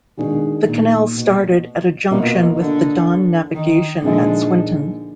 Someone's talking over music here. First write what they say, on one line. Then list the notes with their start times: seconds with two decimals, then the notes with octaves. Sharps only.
The canal started at a junction with the Don Navigation at Swinton.
0.17 B2 D#3 G#3 D4 G#4
0.66 A#2
1.14 B2
2.10 B2 A#3 F4 A#4 D#5
2.58 D3
3.55 D#3
4.02 A#2 D3 F3 G#3 D#4 G#4 D#5